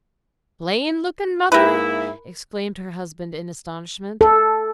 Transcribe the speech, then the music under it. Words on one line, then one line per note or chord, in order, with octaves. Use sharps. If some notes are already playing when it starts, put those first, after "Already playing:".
"PLAIN LOOKING, mother?" exclaimed her husband in astonishment.
G#2 A#3 E4 A#4 B4
A4